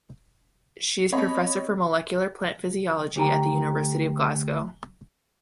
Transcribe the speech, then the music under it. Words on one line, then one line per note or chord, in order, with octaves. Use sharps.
She is professor for Molecular Plant Physiology at the University of Glasgow.
B3 C4 C#5 D#5 B5
D2 G4 G5 A#5